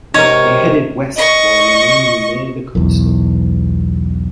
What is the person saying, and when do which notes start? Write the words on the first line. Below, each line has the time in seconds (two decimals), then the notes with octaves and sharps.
They headed west while remaining near the coastline.
0.14 G#2 C3 D#4 A#4 C#5
1.17 D#5 C#6
2.75 B1 E2